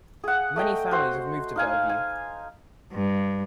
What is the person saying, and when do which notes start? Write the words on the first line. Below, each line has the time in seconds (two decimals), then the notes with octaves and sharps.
Mainly families have moved to Bellevue.
0.24 G#4 F#5
0.56 A3 D#5 G5
0.91 F#4 C5
1.56 D#4 F5 G#5
1.89 G#5
2.93 G2